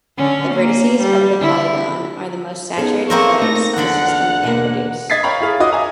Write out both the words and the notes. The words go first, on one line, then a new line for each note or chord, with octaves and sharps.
The vertices of the polygon are the most saturated colors the system can produce.
D3 C#4
A#3
G3
D3 E4
B3 C#4 D#4 G#4 A4
A#3 C4 F4 G#4 A#4 E5 C#6
A3 D#4 A#6
E2 D3 F#5 B5
F5
B2 A#3
D#5 G#6 A6 B6 C7
C#5 F5 G5 A#5 B5 C#6
E4 G#4 F5
F4 F#4 D#5 D6 D#6
E5 G#5 A#5